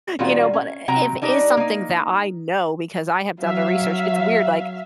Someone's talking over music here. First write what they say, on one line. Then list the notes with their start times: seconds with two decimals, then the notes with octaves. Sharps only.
you know? But, if it is something that I know because I have done the research it's weird, like,
0.19 A#2 D#3 G3 C#4 F4 F#4
0.53 C#4
0.88 C3 F#3 G5 A#5
1.22 G3 D4 D#4 G4
1.57 A#3 D#4
3.42 F#3 E5 F5